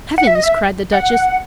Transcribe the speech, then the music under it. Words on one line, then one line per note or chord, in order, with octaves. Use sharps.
"Heavens!" cried the Duchess.
F#5
E5
D#5
E5
F#5